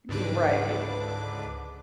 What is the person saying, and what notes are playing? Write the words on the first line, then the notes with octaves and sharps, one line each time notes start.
Y right.
C#2 G#2 D3 D4 B4 D6